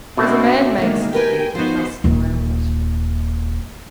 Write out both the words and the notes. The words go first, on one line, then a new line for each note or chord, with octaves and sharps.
As a man makes his bed he must lie on it.
B2 A3 C4 D4 F#4
D3 D#3 G#3 A#3
G4 A#4 B4 G5 G#5
B3 D#4 F4 F#4 C5
D#1 D#2